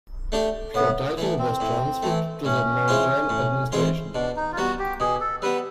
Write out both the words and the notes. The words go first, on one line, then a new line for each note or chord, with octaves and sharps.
Her title was transferred to the Maritime Administration.
A3 D4 G4
A2 B3
E3 A3
C4
A2
E3 A3
A2 C#4
E3 G#3 C4 F4
A2
E3 G#3 C4 F4
B2 D4
D#4
F4
G3 B3 F#4
G4
B2 G#4
A4
G3 B3 B4